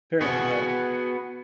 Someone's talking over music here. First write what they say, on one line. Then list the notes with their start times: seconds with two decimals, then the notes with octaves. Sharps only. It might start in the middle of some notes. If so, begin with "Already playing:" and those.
apparently have
0.21 B3 F#4 G#4